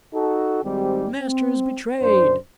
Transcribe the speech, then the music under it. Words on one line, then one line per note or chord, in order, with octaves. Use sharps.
"The Master is betrayed!"
D#4 F#4 A4
G#1 G#2 G3 C4 G4
C4
F#2 D4 C5